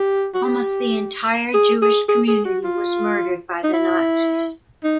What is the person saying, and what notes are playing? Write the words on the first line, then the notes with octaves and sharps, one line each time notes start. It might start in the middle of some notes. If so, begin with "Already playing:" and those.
Almost the entire Jewish community was murdered by the Nazis.
Already playing: G4
F#4
G4
G#4
G#4
G#4
G#4
F#4
F4
D#4
E4
D#4